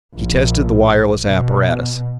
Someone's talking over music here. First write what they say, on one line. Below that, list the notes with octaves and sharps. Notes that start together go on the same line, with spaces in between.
He tested the wireless apparatus.
A#1
B2